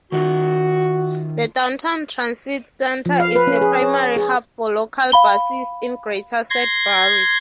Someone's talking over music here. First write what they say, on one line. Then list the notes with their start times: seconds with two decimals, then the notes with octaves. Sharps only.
The Downtown Transit Centre is the primary hub for local buses in Greater Sudbury.
0.12 D#3 F4 F#4
3.06 F3
3.20 F5
3.35 B4
3.47 C#4
3.61 G#4
3.82 C#5
4.16 G#4
5.12 F5 B5 G7
6.50 C6 G#6 A#6